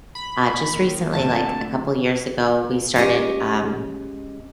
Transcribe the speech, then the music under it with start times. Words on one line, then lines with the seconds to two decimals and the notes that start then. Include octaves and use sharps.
uh, just recently, like a couple years ago, we started, um
0.15 B5
0.69 D#2 D#3
1.13 F2 D3 A3 A5
2.96 G#3 C#4 G4 D#5